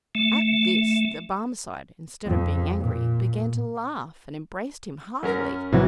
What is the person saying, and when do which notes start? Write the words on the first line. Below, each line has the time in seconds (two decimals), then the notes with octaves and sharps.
At this the Barmecide, instead of being angry, began to laugh, and embraced him heartily.
0.15 A3
2.26 F2
2.79 A#2
5.23 F#2 C#4 A#4
5.73 A#1 C3 E3 F#3